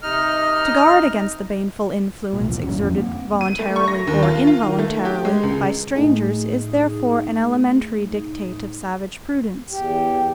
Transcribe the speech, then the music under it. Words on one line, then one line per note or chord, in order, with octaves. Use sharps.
To guard against the baneful influence exerted voluntarily or involuntarily by strangers is therefore an elementary dictate of savage prudence.
C3 D#4 D#5 F6
B1 A#2
F#1 E2 A#2
G1 G2 C#4
F2 F3 A3
A#3 C4
D#7
A3
C#6
A#6
D#2
F4
F4
D#3
A3
G4
G#3
C#2
A2 A3 D#4 G#4
E2 G4